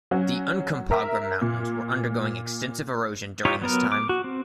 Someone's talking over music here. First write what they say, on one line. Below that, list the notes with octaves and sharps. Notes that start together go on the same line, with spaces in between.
The Uncompahgre Mountains were undergoing extensive erosion during this time.
F#3 C#4 F#4
A#4 E5
A#2
D#4 F4 G4 C#5
F#3 B3 A#4
D6
F#4
C4